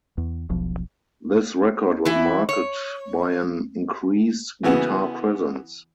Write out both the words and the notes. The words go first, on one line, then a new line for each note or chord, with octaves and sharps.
This record was marked by an increased guitar presence.
E2
E1 B1 F3
E3 E4
C#5
C#3 E3 B3 F#4